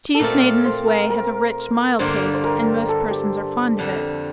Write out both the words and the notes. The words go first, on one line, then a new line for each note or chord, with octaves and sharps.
Cheese made in this way has a rich, mild taste, and most persons are fond of it.
A4
A#2 A3 C4 F4 A#4
C5
A#4
A#4
G2 D3 G3 A#3 C5
C5
A#4
A4
G4
F2 D3 G3